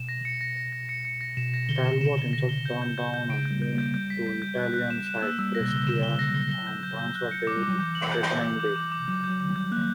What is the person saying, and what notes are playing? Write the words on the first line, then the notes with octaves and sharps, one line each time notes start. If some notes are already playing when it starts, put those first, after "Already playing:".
Talbot himself turned down a move to Italian side Brescia on transfer deadline day.
Already playing: B2 E7
A#6
C#7
A#6
A#6
A#6
C#7
C#7
A#6
B2 E7
A#6
D3 G7
E7
C#3 E7
G7
A#6
G7
G6
G6
G6
G6
C#3 D7
G6
G3
G6
A#3
G6
G3 G6
B6
B6
G6
F#6
F#6
E7
E7
A#3 E6
G3 E6
A#6
B2
C#3 G7
D3
C#3 E7
G7
D3
A#6
F#3 G7
G7
G6
G6
G6
F#6
C#7
D6
G3
F#3 D6
E3 G6
F#7
G6
G6
D6
D6
D6
D6
F#3 D6
G6
F#3
D6
G3
G6
A#3 F#6